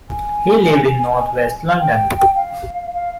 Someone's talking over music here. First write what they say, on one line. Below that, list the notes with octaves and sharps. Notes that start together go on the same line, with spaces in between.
He lived in northwest London.
G#5
G5
F5
F5